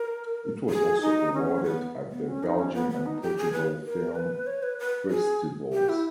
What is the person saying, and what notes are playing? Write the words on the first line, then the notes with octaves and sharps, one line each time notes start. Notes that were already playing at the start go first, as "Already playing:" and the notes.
It was also awarded at the Belgium and Portugal film festivals.
Already playing: A#4
G#4
D#4
C#4
B3
B3
C#4
D#4
C#4
B3
B3
D#4
G4
G#4
B4
A#4
B4
C#5
B4
B4
G#4
G4
E4